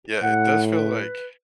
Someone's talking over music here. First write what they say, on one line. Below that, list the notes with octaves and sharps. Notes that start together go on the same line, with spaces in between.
Yeah. It does feel like
A2 F#5
B4